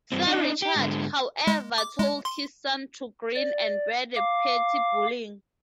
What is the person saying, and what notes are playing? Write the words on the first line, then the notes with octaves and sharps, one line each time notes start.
Sir Richard, however, told his son to grin and bear the petty bullying.
G2 C4
D4 D#4
G4
G#2 D3
G#3
D6
G#3
C6
D5
F5 D6